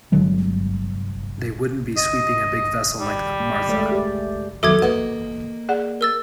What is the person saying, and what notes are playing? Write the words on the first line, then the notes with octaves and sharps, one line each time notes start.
They wouldn't be sweeping a big vessel like the Martha.
G1 D3 F#3 G#3
D#5
G3
G#3 A3 D5
G4 D5
D#3 F#3 B3 F#4 A4 E5 D6 G#6
A#3 B4 D#5 F#5
G#4 D5 F#5
A#4 E6 A6